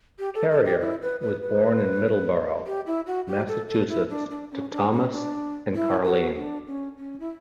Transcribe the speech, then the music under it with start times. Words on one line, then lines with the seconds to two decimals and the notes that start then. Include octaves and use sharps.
Carrier was born in Middleborough, Massachusetts to Thomas and Carleen.
0.19 G4
0.35 A4
0.50 A4
0.65 G4
0.81 E4
1.02 B4
1.22 B4
1.42 B4
2.66 G4
2.86 E4
3.07 F#4
3.28 G4
3.48 A4
3.69 A4
3.89 E4
4.10 D4
4.31 D4
4.52 C#4
4.72 D4
4.92 C#4
5.12 D4
5.75 E4
6.05 F#4
6.37 D4
6.67 C#4
6.97 C#4
7.20 E4